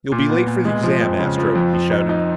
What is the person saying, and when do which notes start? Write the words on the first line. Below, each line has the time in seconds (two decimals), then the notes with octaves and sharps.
"You'll be late for the exam, Astro!" he shouted.
0.12 A#2
0.29 B3
0.47 A#2
0.65 G#3
0.83 F3
1.01 F2
1.19 C#3
1.38 F3
1.55 F2
1.73 F3
1.91 D#4
2.09 D#4